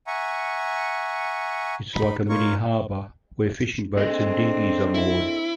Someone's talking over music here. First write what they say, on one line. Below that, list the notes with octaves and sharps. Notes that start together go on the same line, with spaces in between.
It's like a mini harbor where fishing boats and dinghies are moored.
E5 F#5 G#5 A#5 C#6
D#4 B5
D#4 F4 A#4 C#5 C#6
C4 D4 G#4 A4 D#5
E4